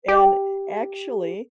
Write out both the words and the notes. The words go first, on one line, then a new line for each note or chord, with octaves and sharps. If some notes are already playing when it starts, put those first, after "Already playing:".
and actually,
G4